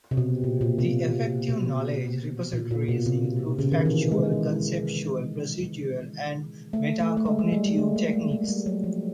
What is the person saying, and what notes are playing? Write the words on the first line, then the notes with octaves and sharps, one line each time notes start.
The effective knowledge repositories include factual, conceptual, procedural and meta-cognitive techniques.
C3
B2
A#2
A#2
C3
B2
A#2
A#2
B2
C3
C#3
D#3
E3
G#3
A3
A3
A3
G#3
G#3
G3
G#3
A3
A#3
A3
G#3
G#3
G3
F#3
F3